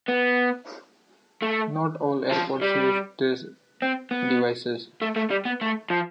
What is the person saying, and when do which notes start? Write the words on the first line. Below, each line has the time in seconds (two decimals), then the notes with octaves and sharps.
Not all airports use these devices.
0.09 B3
1.42 A3
2.32 F3
2.62 G3
3.82 C4
4.11 B3
5.02 A3
5.16 A3
5.30 G3
5.45 B3
5.61 A3
5.90 F3